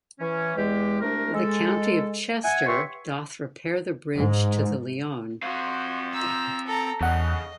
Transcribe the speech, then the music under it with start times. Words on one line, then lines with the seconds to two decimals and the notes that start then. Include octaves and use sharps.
The county of Chester doth repair the bridge to the Lyon.
0.20 E3 C#4
0.56 E2 G#3 G4
1.01 C2 C3 A3 D4 A#4
1.34 G#3 A4
2.44 E5 F#5 G#5
2.67 G4 B4 C#5 E5 C6 C#6
4.16 G#2
5.43 C4 F#4 F5
6.14 A#5 E6
6.67 A4 A#5
7.01 E2 C#3 D#5 F#5